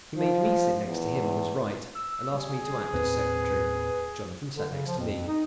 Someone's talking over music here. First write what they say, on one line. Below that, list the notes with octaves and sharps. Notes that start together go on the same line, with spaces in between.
He made me sit next to him on his right, and asked me to act as secretary; Jonathan sat next to me.
F3
E2
E6
G3 G#4
D#2 A2 C4 B4
D3
C#3
F3
F2
D#4